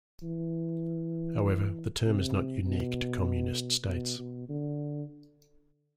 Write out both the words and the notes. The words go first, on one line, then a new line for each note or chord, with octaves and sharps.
However, the term is not unique to communist states.
E3
C3
B2
B2
B2
D3